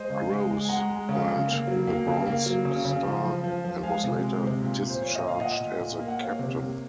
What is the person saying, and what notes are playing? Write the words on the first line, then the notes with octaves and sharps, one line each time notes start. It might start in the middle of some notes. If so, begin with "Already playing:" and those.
Gross earned the Bronze Star, and was later discharged as a Captain.
Already playing: G#3 C5 D#5
C#3
G#3
G#3
G#5
G#3 F#5 A#5
G#3
C#3
C#3
A#3
F#3
A#3
C#3
A#3
F#3
C#3
C#3
F3
F3
F3
F3
G#3 F5 G#5
C3
G#3
C3
A#2
A#2
C5
A#2 C#5
D#5
A#2
F5
A#2 D#5 F#5
A#2
A#2
A#3
F#5
A#3 C#5 F5
C3
A#3